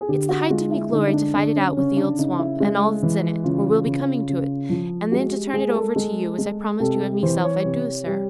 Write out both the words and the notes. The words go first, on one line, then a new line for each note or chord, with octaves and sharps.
It's the height of me glory to fight it out with the old swamp, and all that's in it, or will be coming to it, and then to turn it over to you as I promised you and meself I'd do, sir.
G#4
D3 G4
F#4
G#3 F4
E4
D3 D#4
D#4
D4
D3 D4
C#4
C#3 C#4
D4
C#3 D#4
E4
G#3
E3
C#3 F4
C#3
C#3
F3
G#3 F#4
G4
G#3 G#4
A#4
A4
G#3
G#3
C3 A4
E3 C5
C#5
C3
G3